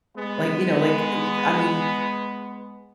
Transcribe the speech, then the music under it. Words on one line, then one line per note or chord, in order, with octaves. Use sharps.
Like, you know, like, eh, I mean,
G#3 B3